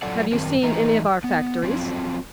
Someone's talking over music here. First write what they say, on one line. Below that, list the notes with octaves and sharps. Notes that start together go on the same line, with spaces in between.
Have you seen any of our factories?
F#3 F4 A4 D5 F#5
F#2 D#3 C4 A#4
E3 A3 D#4 D#5 A#5
B3
F3 F#3 C4 E4 F4